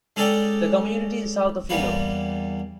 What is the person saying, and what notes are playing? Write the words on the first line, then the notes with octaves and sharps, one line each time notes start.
The community is south of Hilo.
G#3 C#4 G#4 A4 D5 G5
E2 G3 A#3 B4 C#5